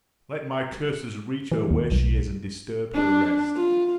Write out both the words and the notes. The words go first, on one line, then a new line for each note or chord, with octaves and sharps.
Let my curses reach her where she is and disturb her rest.
E3
D#2
B1
D4
F4